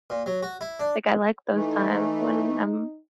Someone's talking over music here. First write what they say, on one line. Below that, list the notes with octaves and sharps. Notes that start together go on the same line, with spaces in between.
Like, I like those times when I'm
A#2
F#3
F#4
E4
D4
E3 A3 D#4